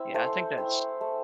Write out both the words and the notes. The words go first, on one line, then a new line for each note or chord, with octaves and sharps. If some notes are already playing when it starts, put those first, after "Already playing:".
Yeah, I think that's
Already playing: C4 E4 E5
A3 C5
C4 E4
A3